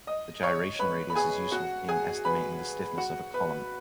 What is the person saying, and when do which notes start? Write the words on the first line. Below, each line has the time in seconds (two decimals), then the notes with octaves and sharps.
The gyration radius is useful in estimating the stiffness of a column.
0.07 D#5 D#6
0.43 C#5 C#6
0.79 B4 B5
1.10 B5
1.15 G#4 G#5
1.52 F#4 F#5
1.88 G#4 G#5
2.25 B4 B5
2.98 F#4 F#5
3.34 B4 B5